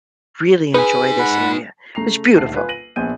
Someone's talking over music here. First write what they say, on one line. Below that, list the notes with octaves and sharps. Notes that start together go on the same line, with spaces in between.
really enjoy this area. It's beautiful.
D#4 G#4 B4 G#5
F#5 B5
C#3 A3 A#5 C7 F7
D#1 D2 A5 C7
F4 B4 G#5
A#6 D#7 F#7
A#1 A#2 B3 G#5 G6 D#7